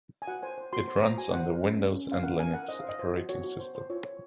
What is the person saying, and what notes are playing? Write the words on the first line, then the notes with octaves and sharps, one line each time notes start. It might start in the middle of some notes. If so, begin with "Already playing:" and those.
It runs on the Windows and Linux operating systems.
G#5
F#4 F#5
C5 G#5
C5
F#4 C6
C5 C6
C5 A#5
F#4 G#5
C5 F#5
A#4
C#4
C#4
C#4
C#4 F5
A#4 F#5
A#4 G#5
A#4 F#5
C5 D#5
C5 F5
D#5
C5
F#4
F#4 C#5
F#4
C5
C5
F4 C#5
C#5